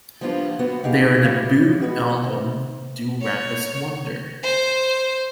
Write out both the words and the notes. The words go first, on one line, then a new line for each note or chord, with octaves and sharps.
Their debut album, Do Rabbits Wonder?
F3 G3 A#3 B3 D4 F4
A#3 B3 F#4
B3 D#4 G4 G#4 F5
C#3 E3 G3 F4 C#5
G#3 B3 F#4 B4
C3 D#3
C#5
C5